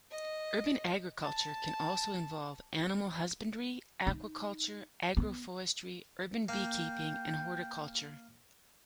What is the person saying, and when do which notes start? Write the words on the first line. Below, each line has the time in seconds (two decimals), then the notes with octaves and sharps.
Urban agriculture can also involve animal husbandry, aquaculture, agroforestry, urban beekeeping, and horticulture.
0.11 D#5
1.22 A5
4.07 D#4
5.17 B3
6.49 A#3 G5